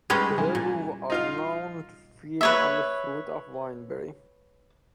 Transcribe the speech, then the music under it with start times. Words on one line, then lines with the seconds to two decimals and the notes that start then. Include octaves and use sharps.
Kereru are known to feed on the fruit of wineberry.
0.10 G3 G#3 C#4 G#4 B4
0.38 E3
0.55 A#2
1.10 D#4 F4 F5
2.41 B4 C#5 E5